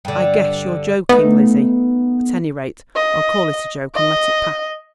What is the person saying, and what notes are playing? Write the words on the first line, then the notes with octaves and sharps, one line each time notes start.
I guess you're joking, Lizzie. At any rate, I'll call it a joke and let it pass!
G2 D3
A3 B3 D#4
D#5
D#5